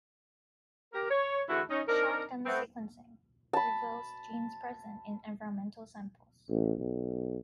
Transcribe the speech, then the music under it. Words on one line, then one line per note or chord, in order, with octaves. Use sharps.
Shotgun sequencing reveals genes present in environmental samples.
G4 A#4
C#5
D3 E3 A3 E4 F#4 G#4
C#4 D#4
C4 D4 D#4 A#4
A3 B3 C4
A5 B5
A1
B1